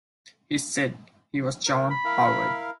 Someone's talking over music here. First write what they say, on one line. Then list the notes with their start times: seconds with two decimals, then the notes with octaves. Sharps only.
He said he was John Howard.
1.66 A#4
1.91 B5
2.05 E4 A#4 F5